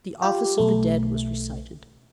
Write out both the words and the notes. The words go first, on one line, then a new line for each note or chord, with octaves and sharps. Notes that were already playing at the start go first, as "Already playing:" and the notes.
The Office of the Dead was recited.
F4 G4
B1 A3